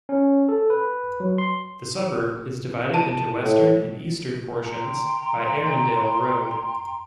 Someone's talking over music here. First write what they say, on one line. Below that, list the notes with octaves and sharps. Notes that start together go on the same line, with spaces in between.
The suburb is divided into western and eastern portions by Erindale Road.
C#4
A4
B4
F#3
C6
A5 D7 D#7
A2
G5 A#5 C6